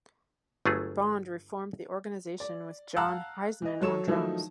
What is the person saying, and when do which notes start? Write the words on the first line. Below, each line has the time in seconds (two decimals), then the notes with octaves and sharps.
Bond reformed the Organisation with Jon Hiseman on drums.
0.65 G1 F#3 A3 F4 G#4
2.40 D5
2.96 F5 F#5 A5 A#5 E6 F#6
3.62 E3 D#5
3.81 F#3 A4 C#5 E7
4.07 D#3 F3 F#3 A3 D#4 E4